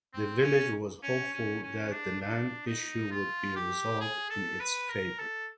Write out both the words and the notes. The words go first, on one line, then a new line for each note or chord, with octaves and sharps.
The village was hopeful that the land issue would be resolved in its favour.
C4
C#4
C#4
C#4
C#4
D4
D4
D#4
F4
G4
G#4
A4
B4
A#4
A4